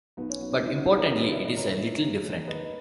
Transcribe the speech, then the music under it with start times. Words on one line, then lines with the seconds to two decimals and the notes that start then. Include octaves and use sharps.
But, importantly, it is a little different.
0.17 B1 B3 D#4
0.30 C#4
0.40 F#3 B3
0.52 C#4
0.64 B1 C#4 E4
0.75 D#4 F#4
0.86 B2 E4 G#4
0.98 F#4 A#4
1.10 D#2 A#4 C#5
1.21 B4 D#5
1.32 F#3 C#5 E5
1.45 B4 D#5
1.56 D#2 A#4 C#5
1.79 D#3
2.01 D#2
2.24 G#3
2.47 D#2 B4 D#5